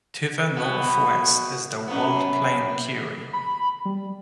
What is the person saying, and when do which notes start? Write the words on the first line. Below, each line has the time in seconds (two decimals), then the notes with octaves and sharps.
To the northwest is the walled plain Curie.
0.56 B2 B3
1.88 F#2 B3
3.33 B5
3.85 G3